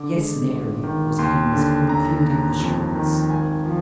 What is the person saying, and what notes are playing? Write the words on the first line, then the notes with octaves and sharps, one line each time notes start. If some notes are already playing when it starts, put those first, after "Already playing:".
"Yes, Mary," was Henry's concluding assurance.
Already playing: D3 D6
G#3
G1
D#3
D#2 C6
D3
D#2 A#5
D#2
F2
D#3
G#1 G#5
F3